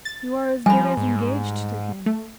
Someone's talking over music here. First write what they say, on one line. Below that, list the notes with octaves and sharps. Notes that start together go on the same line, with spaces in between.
You are as good as engaged to him.
A6
F3 G3 G#5 B5
G#2
A3